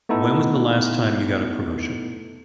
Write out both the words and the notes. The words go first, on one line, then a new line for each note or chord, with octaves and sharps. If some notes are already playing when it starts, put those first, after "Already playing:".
When was the last time you got a promotion?
A3 B3 D#4 E4 A4